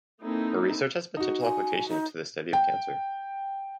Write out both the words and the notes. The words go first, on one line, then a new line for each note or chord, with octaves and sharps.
Her research has potential applications to the study of cancer.
A#3 C4 D#4 E4 A4
D#4 F#4
G#5
D#4
G5